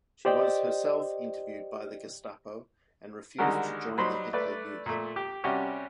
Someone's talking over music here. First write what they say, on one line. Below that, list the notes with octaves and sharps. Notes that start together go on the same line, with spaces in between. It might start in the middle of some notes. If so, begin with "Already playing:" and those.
She was herself interviewed by the Gestapo and refused to join the Hitler Youth.
G4 C5 D5 D#5 G5
D3 D#3 G3 G#3 F#4 A#4
F#3 G3 D#4 C5 B5 C6
A3 B4 D5
A#2 A3
G4
C3 G3 C#4 F#4 G4